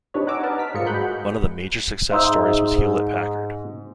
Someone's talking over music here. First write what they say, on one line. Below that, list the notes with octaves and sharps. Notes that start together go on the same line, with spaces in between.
One of the major success stories was Hewlett-Packard.
C4 D4 D#4 G4 B4 C#5
F#5 G#5 A#5 D6 E6
A#4 B4 D5 D#5 F#5 A5
F6 B6
G#2 F4 G#4 A#4 C5 C#7
G#3 F#4 G#4 F#5 B5 G6
G#2 D#4 C5 E5